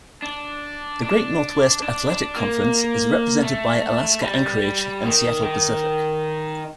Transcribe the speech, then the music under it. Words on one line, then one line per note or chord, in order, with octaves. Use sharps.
The Great Northwest Athletic Conference is represented by Alaska-Anchorage and Seattle Pacific.
D4
D4
D4
D4
A#3
A3
G3
D#3
D#3